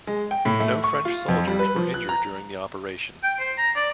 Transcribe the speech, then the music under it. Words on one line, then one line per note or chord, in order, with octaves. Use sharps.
No French soldiers were injured during the operation.
G#3
G5
A2
A3
C#6
F4
F2
G3
B4
F3
F#6
A#5
G5
C5
A#5
D5